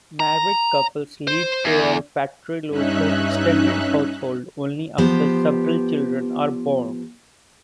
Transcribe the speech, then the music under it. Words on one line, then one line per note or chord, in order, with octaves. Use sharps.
Married couples leave their patrilocal extended household only after several children are born.
A#5
C5
E2
G2 C#4 D#4 E5 F#6
F3 B3 G4 C5